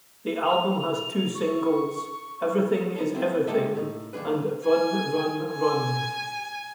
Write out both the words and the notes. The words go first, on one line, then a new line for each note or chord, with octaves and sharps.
The album has two singles; "Everything Is Everything" and "Run Run Run".
F7
C#6
B3 D#4 A4
C4 E4 F#4 G#4 B4
G#3 A#3 G4 A4 D#5 E5
A2 D#4
D#2 D#3 D4 G#4 B4
G#5
G#5